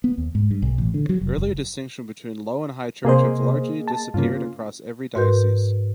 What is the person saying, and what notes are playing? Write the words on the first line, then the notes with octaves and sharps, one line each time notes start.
Earlier distinctions between Low and High Church have largely disappeared across every diocese.
B3
D#2
G#2
G2
B1
A1
D3
F#3
F1
F#1
C3 A#3 G#4 C5 D#5
A5
G2 C#3 A#3 C#4 F4
G#2 F#4 A#4 B4 G6